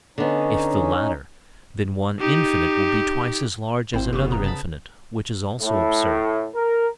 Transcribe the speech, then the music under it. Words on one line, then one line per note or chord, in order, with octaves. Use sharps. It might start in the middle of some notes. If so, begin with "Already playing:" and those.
If the latter, then one infinite will be twice as large as another infinite, which is also absurd.
D3 B3 C#4 D#4
D#4 G4
G#1 C4 E4 C5
F1 C#3 B3 G4 C#6
A#5
A5 B5
A2
A#4